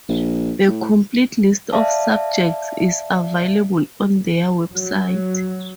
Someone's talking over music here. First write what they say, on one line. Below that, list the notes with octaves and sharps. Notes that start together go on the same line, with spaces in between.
The complete list of subjects is available on their website.
A#1
A2
D5 E5 F5 A5
F#3